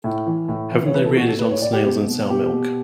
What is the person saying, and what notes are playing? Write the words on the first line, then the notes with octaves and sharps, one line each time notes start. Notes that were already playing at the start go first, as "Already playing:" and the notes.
Haven’t they reared it on snails and sour milk?
A2
E3
A2
E3
C#5
E3 B4
A4
A2 F#4
A4
A2 B4
C#5
A2 D5
G4
B2
B2
B2 G4
B2